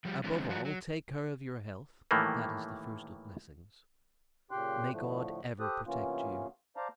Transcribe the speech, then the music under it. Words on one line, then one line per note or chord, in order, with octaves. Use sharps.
Above all, take care of your health; that is the first of blessings. May God ever protect you!
F3 G3
D3 F3 G#3 C4 C#4
F3 F#4
F#3
A2 D#3 E3 G3 A3 A#3
A#2 C#3 G4 G5 C6 F#6
A2 D3 F3 A3
G4 A4 C5 D#6 F#6
C3 E3 A#3 B3 C#4 F4
C5 D5 F5 A5 A#5